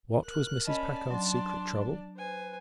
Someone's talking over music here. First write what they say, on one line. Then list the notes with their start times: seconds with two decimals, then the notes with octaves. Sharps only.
What was Mrs. Packard's secret trouble?
0.25 A#4 F#6
0.67 C#4 D5 D#5 A5 B5
1.11 F#3 D4 C6
2.17 B4 C5 G#5